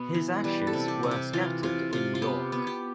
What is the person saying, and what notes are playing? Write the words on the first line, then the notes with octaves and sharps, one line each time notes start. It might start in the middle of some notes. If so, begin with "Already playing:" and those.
His ashes were scattered in York.
Already playing: B2 B3
E3
G3 B4
A4
C3
G4
C3
G4
E3 F4
C3 F4
C3 F4
F4
B3 G4
B3
G4